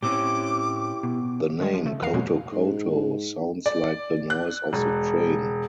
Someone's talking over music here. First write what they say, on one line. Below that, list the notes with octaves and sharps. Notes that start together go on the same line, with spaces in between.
The name "Coto Coto" sounds like the noise of the train.
A2 C4 C#4 E4 G4 D6
B2
D3 D#3 G#3
F3
C#3 A3
E2 A#4 F5 C7
E2 B2 F#3 G#3 A#3
G#2
D5
F#6
E1